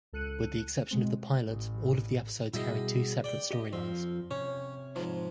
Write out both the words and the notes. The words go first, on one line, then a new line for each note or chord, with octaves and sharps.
With the exception of the pilot, all of the episodes carried two separate storylines.
C#2 A4 F#6 C#7 D#7
B2 G#3 C4
A1
B2 G3 E4 G#4 D#5
D5 G5
G4 D#5
F2 F3 C4
C3 C#4 C#5
G#2 F3